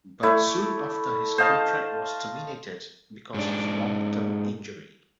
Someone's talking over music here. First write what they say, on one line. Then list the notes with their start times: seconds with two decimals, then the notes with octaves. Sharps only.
But soon after his contract was terminated because of long term injury.
0.23 A3 E4 D5
1.38 C5 D#5 F5 A5
3.34 G#2 D4